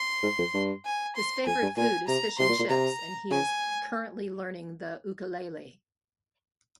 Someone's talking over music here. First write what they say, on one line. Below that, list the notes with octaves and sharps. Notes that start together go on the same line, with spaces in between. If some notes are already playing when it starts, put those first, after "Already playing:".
His favourite food is fish and chips and he is currently learning the ukulele.
Already playing: C6
G#2
F2
G2
G#5
C6
F2 G#5
G2
A#2 G#5
C3 A#5
C3 C6
A#2
A#2
C3 A#5
C#3 G#5